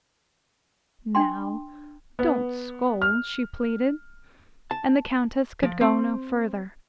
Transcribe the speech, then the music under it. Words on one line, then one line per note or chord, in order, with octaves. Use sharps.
"Now, don't scold," she pleaded, and the countess could go no further.
D4 G5 C6
B3
F6
A5
F3
C4